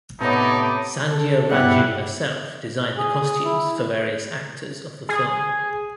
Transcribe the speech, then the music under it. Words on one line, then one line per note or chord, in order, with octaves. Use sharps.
Sandhya Raju herself designed the costumes for various actors of the film.
A2 C3 B3 D#4 C#5 A5 B5 D6
A4
G2 B2 G3 B3 E4 G4 E5 F#5
G#4
E4
G#4